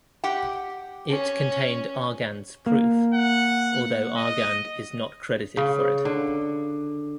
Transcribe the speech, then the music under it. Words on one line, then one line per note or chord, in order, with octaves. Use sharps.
It contained Argand's proof, although Argand is not credited for it.
G4 F#5 G5
C#4
A#3
F#5
D#5
C#3
D3